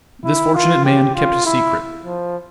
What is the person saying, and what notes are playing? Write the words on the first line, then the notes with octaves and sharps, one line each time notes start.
This fortunate man kept his secret.
E4
F4
G4
F4
E4
F3